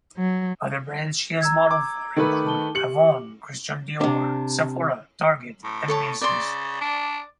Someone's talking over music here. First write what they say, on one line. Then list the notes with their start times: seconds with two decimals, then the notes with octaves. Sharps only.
Other brands she has modelled for include "Avon", "Christian Dior", "Sephora", "Target", and "Macy's".
0.18 F#3
1.41 A#5 E6 G#6
1.71 D6
2.16 D#3 A3 B4
2.47 A5 G7
2.75 G4 C#7 F#7
4.01 C3 D4
5.64 A2
5.88 A4 C#5 A5
6.22 C#3 D5 C6
6.81 D4